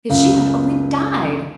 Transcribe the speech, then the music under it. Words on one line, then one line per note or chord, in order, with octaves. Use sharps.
If she had only died!
C#2 F#2